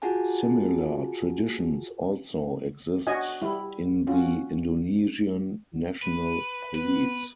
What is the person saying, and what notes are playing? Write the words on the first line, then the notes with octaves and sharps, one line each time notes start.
Similar traditions also exist in the Indonesian National Police.
F4 F#4 G#4 F#5 G#5 A5
D4 F#4 C#5 D#5 G#5
G3 E4
C#4 F4 F#4
B4
B3 B4